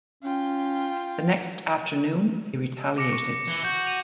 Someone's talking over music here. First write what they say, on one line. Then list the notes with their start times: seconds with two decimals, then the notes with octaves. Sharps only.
The next afternoon they retaliated.
0.23 C#4 F4 G5
2.98 D6 A#6 C#7
3.12 C#6
3.48 E3
3.64 F#4 G6
3.86 D#7 F7